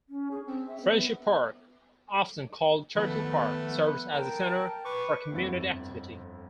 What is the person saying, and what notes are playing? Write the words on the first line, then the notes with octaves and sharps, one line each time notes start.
Friendship Park, often called Turtle Park, serves as a center for community activity.
C#4
G#4
C4
E5
B3
D#3 F3 A3 B3 B4
A#4 G5 A5
B4 C#6 D6
G1 F2 C4 E4 F#5 A6